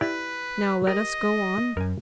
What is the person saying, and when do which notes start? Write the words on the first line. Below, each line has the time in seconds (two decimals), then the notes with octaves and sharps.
Now let us go on ...
0.01 E4 G4 B4 D5
0.87 G4 A#4 D#5
1.77 F#2 A#4 G#5